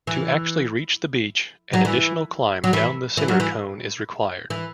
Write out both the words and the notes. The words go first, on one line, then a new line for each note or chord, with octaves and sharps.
To actually reach the beach, an additional climb down the cinder cone is required.
E3
F#3
E3
F#3
E3
E3
F#3
E3
E3